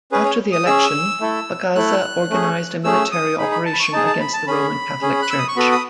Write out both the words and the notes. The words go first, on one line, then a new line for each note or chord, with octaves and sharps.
After the election, Bagaza organized a military operation against the Roman Catholic Church.
C#4 G#4 B4
C#5
D#6
C#4 G#4 E6
A3 E4 A4
A3 E4 A4 F#6
A3 C#4 G#4
A3 C#4 G#4 E6
D#6
D#4 G#4 B5
B5
A5
B5
C#6
D#4 G#4 A5
A5
B5
A5
C#4 G#4 B5
C#4 G#4
F#6
E6
D#6
C#6
B3 F#4 A4 B5
D#6